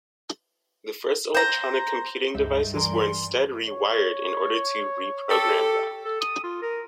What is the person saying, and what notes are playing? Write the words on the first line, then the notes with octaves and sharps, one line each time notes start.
The first electronic computing devices were instead rewired in order to "reprogram" them.
C5 A#5
C#2 G2 G#3 D#4 E5
E3 G#4 A#4 D5 C6
C#5
G4 A4
A4
D#6
F4
A#4